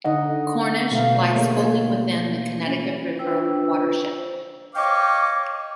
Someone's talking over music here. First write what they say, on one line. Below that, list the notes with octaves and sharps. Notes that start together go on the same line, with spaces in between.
Cornish lies fully within the Connecticut River watershed.
D3 D#4 D#5 F#5
B2 A3 F5
A#3 G#4 C#5
C#4
D4 F4 B4 C5 G5 E6
C5
C#5 D#5 F5 G5 C#6 D6